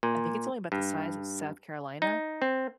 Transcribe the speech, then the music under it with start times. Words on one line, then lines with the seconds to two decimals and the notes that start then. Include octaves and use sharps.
I think it's only about the size of South Carolina,
0.03 A#2
0.72 G2
2.02 D#4
2.42 C4